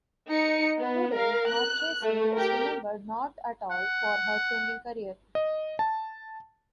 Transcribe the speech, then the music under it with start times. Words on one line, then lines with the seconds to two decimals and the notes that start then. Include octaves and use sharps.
Today, Marchesi is remembered not at all for her singing career.
0.30 D#4 C#7
0.79 B3
1.13 A#4 F5
1.50 F#6
2.03 A3
2.36 G4 A#4
3.71 F#5
5.35 D#5
5.79 A5